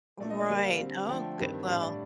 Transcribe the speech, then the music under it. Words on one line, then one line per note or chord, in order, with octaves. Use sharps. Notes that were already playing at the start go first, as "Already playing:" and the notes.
Right, oh, g well.
A#2 A3 D4 D5
D#5
D5
D3 G3 A#3 D4
F5
D3 G3 C4
D3 F3 A3 D4 G5
G2 D#3 G3 C4
A2 G3 D4 F5
D5